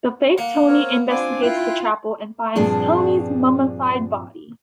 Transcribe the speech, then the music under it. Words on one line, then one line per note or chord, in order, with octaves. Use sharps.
The fake Tony investigates the chapel, and finds Tony's mummified body.
A#3 F#5
C4 A#4 C#5
C4 D4 F4 G#5 D6
E4 F4 G5 F#6
G2 A#2 F3 C4 D4 G#4